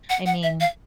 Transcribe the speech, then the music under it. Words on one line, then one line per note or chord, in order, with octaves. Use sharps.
I mean,
F#5
F#5
E5
F5